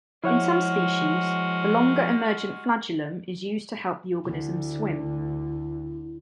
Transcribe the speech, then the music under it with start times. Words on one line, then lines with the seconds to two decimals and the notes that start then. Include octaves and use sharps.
In some species, the longer, emergent flagellum is used to help the organism swim.
0.24 F3 G#3 E4 F#4 C#5 F#5 F6
4.25 D2 D3 E4